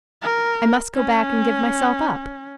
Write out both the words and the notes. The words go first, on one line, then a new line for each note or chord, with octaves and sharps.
I must go back and give myself up.
A#4
C#4